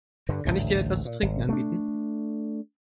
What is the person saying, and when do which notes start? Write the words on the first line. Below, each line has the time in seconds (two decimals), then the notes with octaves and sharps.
Kann ich dir etwas zu trinken anbieten?
0.29 G2 D3
0.45 A1 D2 G#2
1.05 A#2
1.22 G#1
1.49 A3 D4